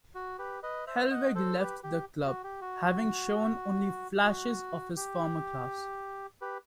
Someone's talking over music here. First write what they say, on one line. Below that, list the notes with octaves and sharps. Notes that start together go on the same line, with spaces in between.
Helveg left the club, having shown only flashes of his former class.
F#4
G4 B4
B4 D#5
C5 E5
D#5 F#5
A4 C5
G4 B4
G4
F#4
G4
F#4
F#4
G4
G4 B4